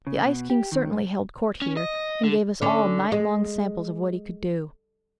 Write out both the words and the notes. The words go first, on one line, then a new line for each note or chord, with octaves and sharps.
The ice king certainly held court here, and gave us all night long samples of what he could do.
C#3
B2
G4
D#3
G2
C#4
D#5
D3
D3 C#4
G#3